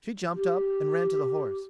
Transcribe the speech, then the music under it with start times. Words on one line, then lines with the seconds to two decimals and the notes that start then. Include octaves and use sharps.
She jumped up and ran to the horse.
0.35 G4